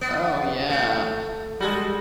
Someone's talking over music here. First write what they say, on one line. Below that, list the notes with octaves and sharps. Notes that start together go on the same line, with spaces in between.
Oh yeah.
B3
A3
G3 G#3 F#4 A4